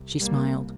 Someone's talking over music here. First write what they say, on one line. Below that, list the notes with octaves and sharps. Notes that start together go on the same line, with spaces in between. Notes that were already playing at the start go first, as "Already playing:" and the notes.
She smiled.
Already playing: C2 C3
G3 A#3